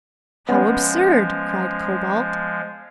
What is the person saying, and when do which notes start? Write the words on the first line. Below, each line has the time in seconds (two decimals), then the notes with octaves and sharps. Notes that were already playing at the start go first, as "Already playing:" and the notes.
"How absurd!" cried Cobalt.
0.49 F3 G#3 B3 C#4